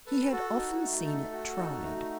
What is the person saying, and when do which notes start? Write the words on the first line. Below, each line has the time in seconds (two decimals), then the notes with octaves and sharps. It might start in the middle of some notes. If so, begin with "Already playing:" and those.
He had often seen it tried.
0.06 A4 B4
0.32 F#4 A4
0.56 D#4
0.82 A3
1.06 A4
1.32 F#4
1.57 D#4
1.82 A3